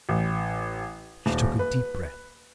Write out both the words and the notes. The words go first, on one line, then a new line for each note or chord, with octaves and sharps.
She took a deep breath.
A1
D#1
B4